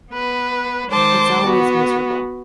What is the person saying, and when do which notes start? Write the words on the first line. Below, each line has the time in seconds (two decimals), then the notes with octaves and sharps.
It's always miserable.
0.11 B3 B4
0.91 D#3 G#3 C5 A5 D6
1.45 B3 F#4